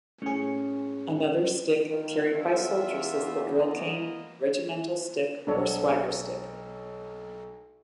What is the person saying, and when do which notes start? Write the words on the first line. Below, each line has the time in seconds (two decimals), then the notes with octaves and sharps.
Another stick carried by soldiers is the drill cane, regimental stick or swagger stick.
0.22 A2 C#4 G#4 C#5
1.89 D#3 F4
2.31 E2 F4 E5
3.53 A#3 B3 D#5
5.47 B1 F#3 D4 A4 C#5